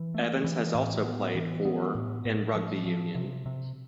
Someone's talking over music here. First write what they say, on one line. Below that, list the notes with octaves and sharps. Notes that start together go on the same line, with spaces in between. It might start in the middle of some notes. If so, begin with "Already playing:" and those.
Evans has also played for in rugby union.
Already playing: E3
A3
E3
A2
B3
E3
B3
A2
A2
F3
F3
C3
C3